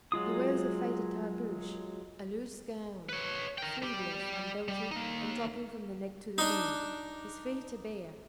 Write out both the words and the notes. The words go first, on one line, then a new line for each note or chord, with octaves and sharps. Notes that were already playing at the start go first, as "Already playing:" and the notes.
He wears a faded tarbooshe, a loose gown, sleeveless, unbelted, and dropping from the neck to the knee. His feet are bare.
F#3 G#3 F4 D#6
B4 C#5
A#4 G5
G3 G4
G3
A#3 D#4
D4 D#4